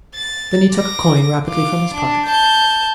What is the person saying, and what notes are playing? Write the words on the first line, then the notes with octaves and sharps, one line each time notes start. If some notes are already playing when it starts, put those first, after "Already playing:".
Then he took a coin rapidly from his pocket.
A6
D6 A#6
F4 D6
D4
A5 G6